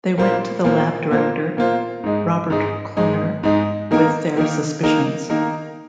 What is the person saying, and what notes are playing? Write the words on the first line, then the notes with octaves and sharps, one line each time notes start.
They went to the lab director, Robert Kloner, with their suspicions.
A#2 A#3 F4 C5
A#2 A#3 F4 C5
A#2 A#3 F4 C5
A#2 A#3 F4 C5
G#2 G#3 D#4
G#2 G#3 D#4
G#2 G#3 D#4
G#2 G#3 D#4
D#3 A#3 D#4 A#4
D#3 A#3 D#4 A#4
D#3 A#3 D#4 A#4
D#3 A#3 D#4 A#4